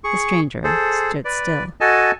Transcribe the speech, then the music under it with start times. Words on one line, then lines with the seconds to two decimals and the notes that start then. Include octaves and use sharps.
The stranger stood still.
0.04 G#4 C#6
0.64 G#4 A4 C5
1.25 B4 D5
1.81 F#4 A4 D#5 G#5 A5